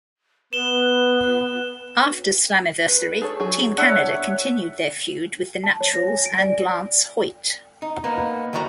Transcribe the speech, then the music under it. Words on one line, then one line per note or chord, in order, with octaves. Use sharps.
After Slammiversary Team Canada continued their feud with The Naturals and Lance Hoyt.
B3 B4 E7 G7
B4
G#4 A4 C#5
F#3 G#4
D4 C#5 E5 F#5
A5
C#5
A#6
G#5
D7
D5
D#4
A#3 B3 D#4 B4
D2 D#3 G3 F#4 D5 A#5